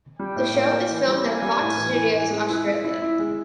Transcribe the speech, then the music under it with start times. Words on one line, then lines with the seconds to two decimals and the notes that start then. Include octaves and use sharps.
The show is filmed at Fox Studios Australia.
0.19 G3 G5
0.36 A2
0.54 A#3
0.71 A#3
0.89 E3
1.08 G3
1.25 A#3 G#5
1.42 G3
1.60 A2
1.78 E3
1.96 E3
2.14 A2
2.31 G#3
2.49 E4
2.67 G#3
2.84 E4 E5
3.02 E4
3.19 G#3